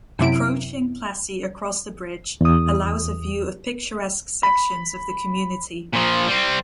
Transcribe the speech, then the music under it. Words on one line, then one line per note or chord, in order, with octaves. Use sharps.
Approaching Plassey across the bridge allows a view of picturesque sections of the community.
F#2 C3 E4 D7
E2 D#6
B5
A#2 F3
G3 C4